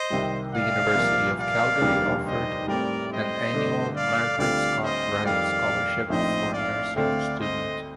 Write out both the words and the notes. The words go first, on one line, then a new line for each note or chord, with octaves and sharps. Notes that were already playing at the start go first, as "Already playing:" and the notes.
The University of Calgary offered an annual Margaret Scott Wright Scholarship for nursing student.
Already playing: C5 D#5
C2 C3 D#3 G3
D5 F5
C2 A#2 F3 A#3
D5 F5
F1 D#2 D#3 G3 D4
C5 D#5
A2 G3 C4 A#4 D5
C5 D#5
G2 D3 A3 D4
D5 F5
D2 D3 G3 C4 F4 D5 F5
C5 D#5
F2 D#3 G3 D5 F5
A#1 A2 F3 C4 D#4 C5 D#5
D5 F5
D2 D3 A3 C4 D5 F5
C5 D#5